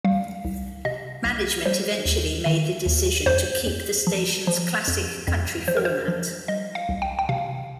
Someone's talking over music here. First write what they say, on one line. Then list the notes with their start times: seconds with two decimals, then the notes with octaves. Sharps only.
Management eventually made the decision to keep the station's classic country format.
0.05 G3 F5
0.44 C2
0.85 C3 D#5
1.25 C2
1.66 G3 C5
2.05 D#2
2.46 D#3
2.86 D#2
3.26 F2 C5
3.67 F2
4.07 F3
4.47 F3
4.88 F2
5.28 F2
5.68 F3 C5
5.77 A#4
5.85 C5
6.08 F3
6.48 G3 D#5
6.75 F5
6.89 C2
7.02 G5
7.19 G5
7.29 C3 F5